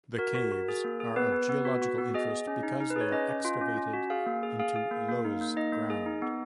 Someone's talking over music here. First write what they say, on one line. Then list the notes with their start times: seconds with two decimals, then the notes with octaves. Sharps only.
The Caves are of geological interest because they are excavated into loess ground.
0.18 F#4 A#4
0.35 F#4
0.52 F#4
0.68 G#4
0.84 A#3
1.00 G#4
1.16 B3 B4
1.33 B3
1.49 B3
1.65 F#4
1.82 F#4
1.98 B3
2.14 G#4 D#5
2.30 G#4
2.47 C#4
2.63 D#4
2.80 D#4
2.90 B4
2.96 G#4 C#5
3.12 C#4 D#5
3.29 C#4
3.45 F4
3.61 C#4
3.78 C#4
3.93 F#4
4.10 G#4 F5
4.26 A#3
4.43 G#4
4.59 G#4 F5
4.76 G#4
4.91 A#3
5.08 A#3
5.25 D#4
5.41 A#3
5.57 D#4 D#5
5.72 A#3
5.90 G#4
6.06 D#4
6.22 B3